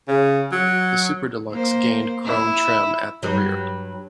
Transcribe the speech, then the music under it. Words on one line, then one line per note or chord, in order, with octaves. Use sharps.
The Super Deluxe gained chrome trim at the rear.
C#3
F#3
A#3 C5
E4
G2 F#3